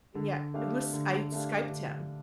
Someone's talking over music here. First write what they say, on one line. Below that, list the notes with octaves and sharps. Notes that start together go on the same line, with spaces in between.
yeah, it was I Skyped him.
D3
A3 D4 G4 F5
D3
A3 D4 G4 F5
D3